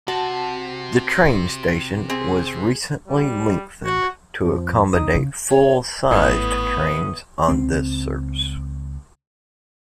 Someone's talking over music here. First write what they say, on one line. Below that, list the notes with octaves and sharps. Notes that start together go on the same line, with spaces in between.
The train station was recently lengthened to accommodate full sized trains on this service.
C3 F#4 A5
C4 G#4
G3
F#4
F2 F3
E2 D#4 D#6
C#3
C#5
G#1 A2 B3 D#6 G#6
C#2 C4